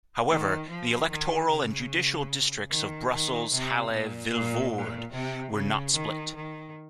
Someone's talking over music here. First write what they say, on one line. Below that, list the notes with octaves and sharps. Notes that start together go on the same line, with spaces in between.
However, the electoral and judicial districts of Brussels-Halle-Vilvoorde were not split.
D#3
F3
D#3
C#3
D#3
D#3
C3
A#2
A#2
A#2
C3
C#3
D#3
D#3